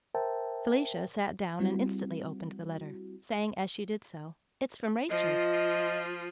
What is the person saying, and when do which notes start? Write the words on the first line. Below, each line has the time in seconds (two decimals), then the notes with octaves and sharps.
Felicia sat down and instantly opened the letter, saying as she did so: "It's from Rachel."
0.15 A#4 C5 E5 G5 A5
1.60 G3 C4 E4 F#4
5.10 F3 F4 D#5